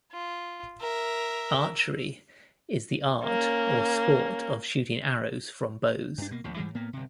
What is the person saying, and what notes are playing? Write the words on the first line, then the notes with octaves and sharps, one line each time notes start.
Archery is the art or sport of shooting arrows from bows.
F4
A#4 E5
A#3 C#4
G2 D4
B2 A#3
A1 D#2 F3
G#2 E3 G3 G#3
A2 A#3 B3
G1 C3